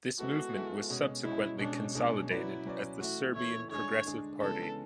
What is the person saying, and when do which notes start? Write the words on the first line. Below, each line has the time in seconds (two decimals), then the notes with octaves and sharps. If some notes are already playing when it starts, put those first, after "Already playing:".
This movement was subsequently consolidated as the Serbian Progressive Party.
0.19 G#3 B3 E4 F#4 A4
0.54 G#3 B3 E4 A4
0.89 B2 G#3 C#4
1.25 B2 G#3 C#4 E4
1.59 B2 G#3 C#4 D4
1.95 B2 G#3 C#4 D4
2.30 F#3 C#4 E4 F#4 B4 D5
2.66 F#3 C#4 F#4 B4 D5
3.00 E3 A3 E4 F#4
3.35 E3 A3 E4 C#5
3.71 D3 G#3 D4 G#4 C#5
4.05 D3 G#3 D4 G#4
4.41 C#3 E3 G#3 B3 A4